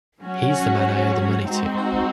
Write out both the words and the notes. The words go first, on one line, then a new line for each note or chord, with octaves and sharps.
He's the man I owe the money to.
F#3 C#4 F#4
G#3 C4 D#4 F#4